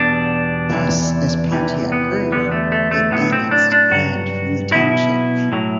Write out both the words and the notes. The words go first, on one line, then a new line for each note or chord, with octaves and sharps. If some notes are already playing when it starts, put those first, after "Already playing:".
Thus, as Pontiac grew, it annexed land from the township.
Already playing: E2 B2 G3 D4
E2 C3 E3
E2 C3 E3 G3
B3
E2 D3 G3 B3
A3
A3
A3
A2 F#3 B3
C4
D4
D4
G2 F#3 F#4
B2 F#3 E4
A2 F#3